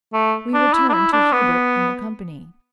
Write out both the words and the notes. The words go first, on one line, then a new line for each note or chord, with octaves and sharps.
We return to Hubert and the company.
A3
D4
E4
D4
E4
D4
B3